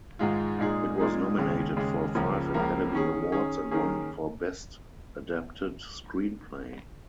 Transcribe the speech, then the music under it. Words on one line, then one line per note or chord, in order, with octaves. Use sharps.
It was nominated for five Academy Awards and won for Best Adapted Screenplay.
G#2 D#3 G#3 F4
A#2 G#3 D#4 G#4
A#2 G#3 D#4 G#4
D#2 C#3 G#3
D#2 C#3 G#3
C#2 C#3 F3 A#3
C#2 C#3 F3 A#3
D#3 C#4 G#4
D#3 C#4 G#4
D#3 A#3 C#4 G#4